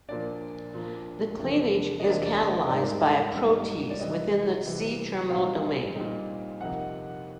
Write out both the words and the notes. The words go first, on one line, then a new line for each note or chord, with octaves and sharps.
The cleavage is catalysed by a protease within the C-terminal domain.
A#2 F3 A#3 D4 D5
A#2 F3 A#3 D4
E2 C3 F3 A#3 D4
D#5
E2 C3 F3 A#3 D4 D5
D5
D#5
G#2 D#3 G3 A#3 D#4 D5
G#2 D#3 G3 A#3 D#4
D5
C3 E3 G3 D#5
C3 E3 G3
A#2 G3 C4 D#4 F5
A#2 G3 C4 D#4
F2 C3 F3 A#3 D#4 F#5